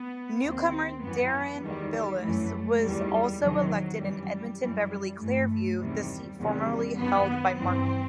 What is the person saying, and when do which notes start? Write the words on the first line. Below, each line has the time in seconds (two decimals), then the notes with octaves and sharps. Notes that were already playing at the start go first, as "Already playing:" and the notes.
Newcomer Deron Bilous was also elected in Edmonton-Beverly-Clareview, the seat formerly held by Martin.
Already playing: B3
0.43 D#2 D#3 C4
1.03 F#2 E3 B3
1.62 E2 D#3 G3
1.92 G3
2.22 F#2 E3 A3
2.82 E2 D#3 G3
3.42 E2 C3 D#3 F#3
4.01 F#2 E3 G3
4.32 G3
4.61 F#2 E3 G3
5.20 G2 E3 A3
5.80 E2 C3 D#3 G3
6.39 E2 C3 D#3 G3
6.99 F#2 D#3 B3
7.59 G2 E3 C4